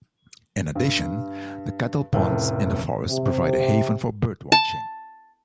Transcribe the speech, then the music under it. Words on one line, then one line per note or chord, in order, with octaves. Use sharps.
In addition, the kettle ponds in the forest provide a haven for bird watching.
G2
F1 F2 A2 C#3 A4 A#4
C3
A5